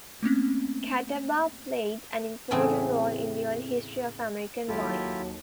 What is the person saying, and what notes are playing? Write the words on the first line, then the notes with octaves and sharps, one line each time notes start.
Catawba played an important role in the early history of American wine.
A3 A#3 C4 C#4
E2 A2 C#3 C4 G#4
D#2 F#3 E4 F4 G4 A4